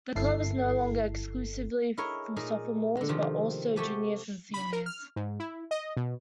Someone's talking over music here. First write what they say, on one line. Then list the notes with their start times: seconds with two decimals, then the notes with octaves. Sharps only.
The club is no longer exclusively for sophomores but also juniors and seniors.
0.15 G1 E4 A4 C7
1.97 E4 G#4 A#4 C#5 D#5
2.36 A#2 D#4 G#4 A#4
2.97 D3 G#3
3.09 C3 D#3 F3 C4
3.76 A3 F#4 G4 G#5 A5
4.54 B5
4.73 A#4
4.86 F6
5.16 G#2
5.40 E4
5.71 D#5
5.97 B2